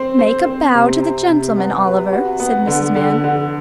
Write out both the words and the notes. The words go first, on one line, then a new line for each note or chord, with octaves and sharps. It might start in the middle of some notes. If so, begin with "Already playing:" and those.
'Make a bow to the gentleman, Oliver,' said Mrs. Mann.
Already playing: C4 C5
C5
C4
C3
C3
C3
B3
B4
F#4
B3
D3
D3
D3